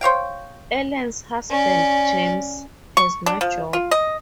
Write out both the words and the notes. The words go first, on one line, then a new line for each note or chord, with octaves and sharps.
Ellen's husband, James, has no job.
C5 C#5 F5 G5
C#4 D5
C#6
D4
F3
F4
D#5